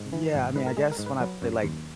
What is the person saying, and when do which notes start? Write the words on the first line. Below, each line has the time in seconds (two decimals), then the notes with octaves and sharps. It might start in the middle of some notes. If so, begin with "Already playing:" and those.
Yeah, I mean, I guess when I play, like,
Already playing: G#2
0.13 E3
0.35 G#1
0.56 G#2 B4
0.67 A#4
0.77 G#3 G#4
0.92 A#4
0.99 G#2
1.06 B4
1.20 F#3 B4
1.42 F#2
1.63 D#2